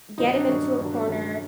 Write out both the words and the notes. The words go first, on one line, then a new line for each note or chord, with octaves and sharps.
get him into a corner,
G2 D#3 F#3 D#4
D4
G2 D#3 F#3 C#4
G2 D#3 F#3 D4
C#4
G2 D#3 F#3 C#4